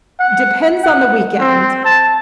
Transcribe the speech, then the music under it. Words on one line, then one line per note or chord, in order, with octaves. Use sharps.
depends on the weekend,
F#5
F#5
C4
A5